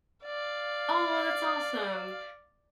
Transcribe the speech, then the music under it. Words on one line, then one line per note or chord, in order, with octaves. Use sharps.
oh, that's awesome!
D5 F5